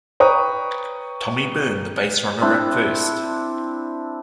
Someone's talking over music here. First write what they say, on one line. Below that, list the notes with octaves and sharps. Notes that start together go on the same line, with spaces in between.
Tommy Byrne the base runner at first.
B4 C#5 G5 A#5 C#6 D#6
C4 D4 E4